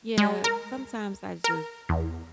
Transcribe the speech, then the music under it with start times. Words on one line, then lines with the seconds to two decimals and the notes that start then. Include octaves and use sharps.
Yeah, sometimes I just
0.18 G#3
0.44 A#4
1.44 A#4
1.89 E2